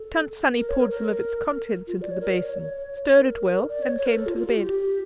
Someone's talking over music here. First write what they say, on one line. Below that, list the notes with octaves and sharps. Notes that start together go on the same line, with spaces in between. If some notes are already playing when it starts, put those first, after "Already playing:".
Tant Sannie poured some of its contents into the basin, stirred it well, and came to the bed.
Already playing: A4
A#4
C#5
A#4
A#4
F4
D5
C#5
A#4
D5
C#5
A#4
D5
C#5
C#5
A#4
A4
F4
F4
G4
F4
G4